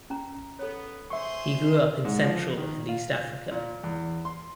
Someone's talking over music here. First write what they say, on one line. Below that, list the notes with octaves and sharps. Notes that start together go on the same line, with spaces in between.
He grew up in Central and East Africa.
C#4 A#5
B3 A4 C#5
G#4 C5 E5 C6 C#6
G#2
F3
D#3
F4
A#2
E2
C6